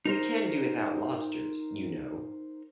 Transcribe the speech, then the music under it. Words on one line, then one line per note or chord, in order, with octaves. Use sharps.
We can do without lobsters, you know.
D#4 A#4 C5